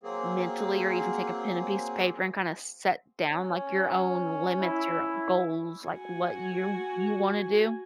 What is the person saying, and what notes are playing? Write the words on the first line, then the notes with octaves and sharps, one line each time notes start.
m mentally or even take a pen, and piece of paper, and kinda set down, like, your own limits, your goals, like, what you you wanna do.
F#3 A#3 C4 G#4
C#4
E4
F#4 G#5